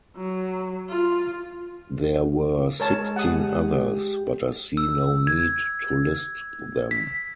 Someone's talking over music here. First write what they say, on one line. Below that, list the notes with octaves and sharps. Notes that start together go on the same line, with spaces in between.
There were sixteen others, but I see no need to list them.
F#3
F4
G#3 A#4 C#5 A5
G4 F#5 D#6
E6
G#6
B6